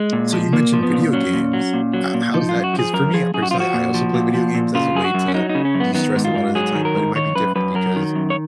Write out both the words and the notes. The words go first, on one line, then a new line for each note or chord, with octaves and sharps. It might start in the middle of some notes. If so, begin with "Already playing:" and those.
So you mentioned video games, h how's that? 'Cause for me, personally, I also play video games, as a way to destress a lot of the time, but it might be different because,
Already playing: G#3
A#2
F3
A#2 A#3
F3
B3
A#2
F#3 C#4
A#2
F#3
A#2
F#3
A#2
F3 D#4
F#2 F4
F#4
F3
G#4
F#2 A#4
F3 G#4
F#2 G#4
F#4
F3 F4
F#4
A#2
F3
A#2
F3
A#2
C#3 F4
F#2 G#4
F#4
F#2
C#4
F#3 D#4
D#4
C#3
C#4
F#2
B3
D#3 B3
G#2
F4
G#2
F#3 G#4
D#3
A#4
G#2
D#3 C#5
F#2 B4
F#2 B4
F#3 A#4
D#3
F#2
C#5